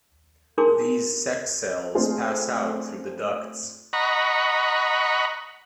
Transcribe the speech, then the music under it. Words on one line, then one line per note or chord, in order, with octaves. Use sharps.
These sex cells pass out through the ducts.
D4 D#4 G#4 A#4 C6 D6
A3 C4 D4 F4 G#4
D#5 F#5 A#5 B5 C#6